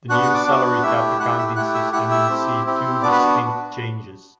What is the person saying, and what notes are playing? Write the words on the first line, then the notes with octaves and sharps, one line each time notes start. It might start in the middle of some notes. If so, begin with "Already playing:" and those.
The new salary cap accounting system would see two distinct changes.
B3 D4 F#4 F#5 F#6
F#5 F#6
D5 D6
B3 D4 F#4
A3 E4 G4 E5 E6
A3 E4 G4 F#5 F#6
E5 E6
A3 E4 G4 F#5 F#6
E5 E6
A3 E4 G4 F#5 F#6
E5 E6
C4 E4 G4
C4 E4 G4
B3 D4 F#4 D5 D6
B4 B5